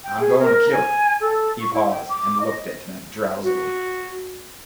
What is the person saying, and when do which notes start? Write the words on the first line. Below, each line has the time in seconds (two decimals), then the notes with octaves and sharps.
"I 'm goin' to kill her." He paused and looked at them drowsily.
0.04 G5
0.20 G#4
0.39 A#4
0.72 G#5
1.20 A4
1.61 C#6
1.73 E4
1.90 G5
2.09 D6
2.40 D#5
3.44 F#4